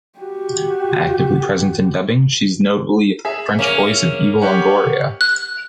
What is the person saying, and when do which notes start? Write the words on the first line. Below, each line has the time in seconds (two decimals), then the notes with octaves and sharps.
Actively present in dubbing, she’s notably the French voice of Eva Longoria.
0.19 F#4 G4
3.25 G#4 E5
3.59 A#3 C#4
4.41 G4 C#5 F#5
5.21 F#6